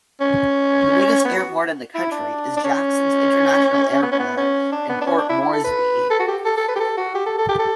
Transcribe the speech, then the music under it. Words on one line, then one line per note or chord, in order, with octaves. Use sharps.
The biggest airport in the country is Jacksons International Airport in Port Moresby.
C#4
B3
F#4
E4
D4
D4
C#4
B3
C#4
B3
C#4
D4
B3
D4
C#4
D4
E4
E4
A4
B4
A4
F#4
G4
A4
A4
B4
G4
A4
F#4
G4
A4
A4
G4
A4